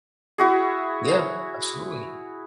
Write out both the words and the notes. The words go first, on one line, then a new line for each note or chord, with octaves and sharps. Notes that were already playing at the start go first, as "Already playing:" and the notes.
Yeah, absolutely.
E4 F#4 G#4